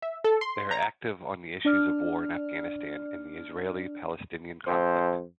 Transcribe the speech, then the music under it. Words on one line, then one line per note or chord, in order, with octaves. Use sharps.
They are active on the issues of War in Afghanistan and the Israeli-Palestinian conflict.
E5
A4
C6
A#5
D4 D5 F6
F2 C5